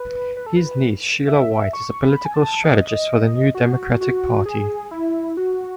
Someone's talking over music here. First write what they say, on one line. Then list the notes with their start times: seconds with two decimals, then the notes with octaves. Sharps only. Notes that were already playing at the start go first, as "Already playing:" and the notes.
His niece Sheila White is a political strategist for the New Democratic Party.
Already playing: B4
0.37 B4
0.46 A4
0.57 B4
1.27 E5
1.73 C#6
2.03 B5
2.25 G#5
2.34 A5
2.64 D#5
3.55 F#4
4.01 F#4
4.46 G#4
4.91 E4
5.37 F#4